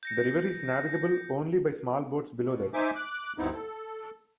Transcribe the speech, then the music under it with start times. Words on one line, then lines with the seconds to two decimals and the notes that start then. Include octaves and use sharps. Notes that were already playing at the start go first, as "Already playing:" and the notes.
The river is navigable only by small boats below that.
0.03 G6 A#6 C#7
2.42 B2
2.74 D#4 C5 E5 G#5 D6
2.95 D6 F#6
3.38 D2 G2 B3 C4 D#4 E4
3.53 A4